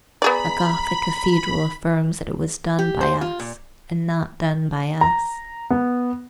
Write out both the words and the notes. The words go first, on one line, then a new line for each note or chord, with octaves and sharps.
A Gothic cathedral affirms that it was done by us and not done by us.
B3 G#4 D5 A#5 B5
G4
C5
F4
A#2
A#5
B3